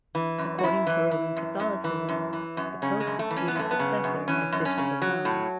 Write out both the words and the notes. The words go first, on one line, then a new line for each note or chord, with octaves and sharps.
According to Roman Catholicism, the pope is Peter's successor as Bishop of Rome.
E3
F#2
F#4
F#2 E4
E3
E3
F#2
F#2
E3
F#2
E3
F#2
C#3 C#4
G#3
F#2
A3
E3
C#4
B3
F#2 A3
B3
C#3
F#2
E3 C#4
F#2
C#4
C#3
F#3
A2